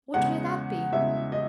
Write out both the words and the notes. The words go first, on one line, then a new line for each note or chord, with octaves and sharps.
"What may that be?"
E2 C#3 G#3 F#5
E2 C#3 G#3 E5
D#5